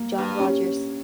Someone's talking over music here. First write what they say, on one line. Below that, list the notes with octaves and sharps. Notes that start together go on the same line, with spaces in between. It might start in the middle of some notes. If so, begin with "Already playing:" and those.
John Rogers.
Already playing: A#3
G2
C#4